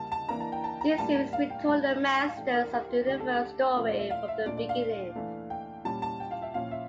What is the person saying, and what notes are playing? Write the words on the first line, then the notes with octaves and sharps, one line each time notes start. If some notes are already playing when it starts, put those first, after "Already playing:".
This series retold the Masters of the Universe story from the beginning.
Already playing: C#3 G3 A#3 A5
A5
E3 A#3 D4 A#5
A5
G5
A5
A#5
A2 G3 A#3 D4 A5
A5
F5
G5
A2 G3 D4 A5
F5
E3 A3 D4 G5
A#4
G4
F4
D3 A3 C#4 G4
A4
G4
A#2 F3 A3 C#4 F4
D5
E5
F5
E5
A#2 A3 D4 D5
D5
F5
E3 A3 D4
G5
A#2 G3 C#4 A5
A5
G5
F5
E5
A#2 F3 C#4 F5
E5